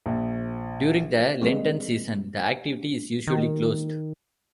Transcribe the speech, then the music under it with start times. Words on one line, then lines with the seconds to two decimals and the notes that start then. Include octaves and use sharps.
During the Lenten season the activity is usually closed.
0.06 A#1
1.41 E3 G3 G#3 A#3 C4
3.27 D#3